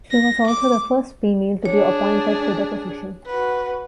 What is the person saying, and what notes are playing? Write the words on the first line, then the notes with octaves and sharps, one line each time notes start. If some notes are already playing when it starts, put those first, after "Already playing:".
She was also the first female to be appointed to the position.
A#6
D6
D4 G#4 C#5
F#4 B4